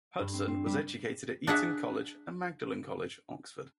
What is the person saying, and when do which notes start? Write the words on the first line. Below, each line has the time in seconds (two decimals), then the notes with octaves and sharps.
Hudson was educated at Eton College and Magdalen College, Oxford.
0.20 G2
0.34 C4
0.48 C4
0.66 G3
1.47 D4 G#4 E5 F#5